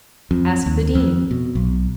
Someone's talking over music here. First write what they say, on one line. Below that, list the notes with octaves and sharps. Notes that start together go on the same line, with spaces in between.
Ask the Dean.
F2
D#2
F2
B2
B1